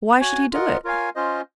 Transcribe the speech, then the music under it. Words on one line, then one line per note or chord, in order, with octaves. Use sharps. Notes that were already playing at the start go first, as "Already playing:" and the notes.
Why should he do it?
F#4 C#5 G#5
F4 A#4 D#5 F#5
F4 A#4 C#5 F5 G#5
C#4 F4 C5 D#5